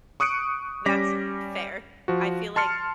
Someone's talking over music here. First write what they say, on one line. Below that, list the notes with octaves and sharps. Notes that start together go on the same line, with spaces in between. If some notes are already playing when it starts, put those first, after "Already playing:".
That's fair. I feel like
C#6 D#6 F#6 C#7 D7
G3 C#4 D6 A#6 B6
F3 F#4
A5 C6 F6 C#7